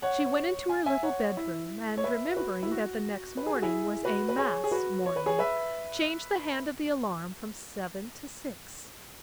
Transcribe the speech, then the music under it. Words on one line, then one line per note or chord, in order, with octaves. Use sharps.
She went into her little bedroom and, remembering that the next morning was a mass morning, changed the hand of the alarm from seven to six.
C#5 F#5
G#5
E5 G#5
C#5 F#5
E4
C#5
B4 E5
F#4 B4
E4
F#4
B4
G#4
F#4
E4 G#4
F#4 B4
B4
G#4 C#5
G#4
F#4 B4
C#5
B4
G#4 C#5
B4 E5